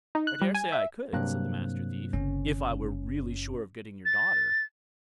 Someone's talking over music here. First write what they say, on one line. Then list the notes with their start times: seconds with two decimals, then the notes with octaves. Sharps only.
I daresay I could', said the Master Thief, 'if I were really sure of getting your daughter.'
0.15 D#4
0.27 F#6
0.42 G3
0.54 G#5
0.72 E5
1.13 G2 C3 F#3 A#3 F#6
2.13 F#1 C#4
4.05 A6